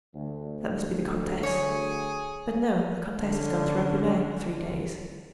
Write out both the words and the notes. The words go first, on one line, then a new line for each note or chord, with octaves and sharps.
That must be the comtesse; but, no, the comtesse is gone to Rambouillet for three days.
D2
G#4 C#5
D3 C#4 D4